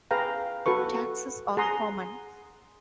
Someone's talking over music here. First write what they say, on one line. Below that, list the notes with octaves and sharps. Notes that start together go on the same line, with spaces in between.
Taxis are common.
G#4 B4 F5 G5 A#5
F#4 A4 B4 C#6
G#4 F#5 A#5 C6 D#6